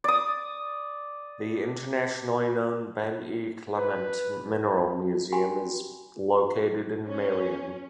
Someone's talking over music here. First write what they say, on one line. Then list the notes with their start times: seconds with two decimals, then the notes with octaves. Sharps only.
The internationally known Ben E. Clement Mineral Museum is located in Marion.
0.04 D5 D#6
3.77 B4
5.32 F#4 G4 G5 G#5 B5 C6
7.07 C#4